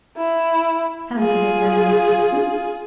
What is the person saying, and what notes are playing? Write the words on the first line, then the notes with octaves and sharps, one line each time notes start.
How's the Vicar and Miss Dixon?
E4
F4 G#4